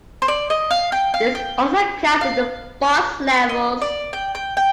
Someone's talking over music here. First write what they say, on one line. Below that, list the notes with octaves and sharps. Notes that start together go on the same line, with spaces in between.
This also counts in the Boss levels.
C5
D5
D#5
F5
G5
F5
G5
F5
D#5
D5
G5
G5
G5